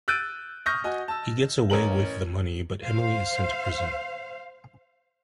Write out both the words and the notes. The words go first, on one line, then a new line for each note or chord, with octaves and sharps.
He gets away with the money but Emily is sent to prison.
E6 F#6 G6 A6 D7 D#7
C#6 D#6 F6 G6 A#6
F#4 D#5 G#5
A5 E6
A1 C#4 A#4 F#7
C5 F5